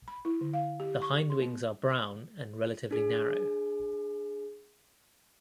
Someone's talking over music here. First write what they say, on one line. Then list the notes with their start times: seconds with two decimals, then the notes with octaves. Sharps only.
The hindwings are brown and relatively narrow.
0.08 B5
0.25 E4
0.41 D3
0.53 F5
0.80 G4
1.02 C#6
1.30 C6
1.42 B3
2.91 D4 G#4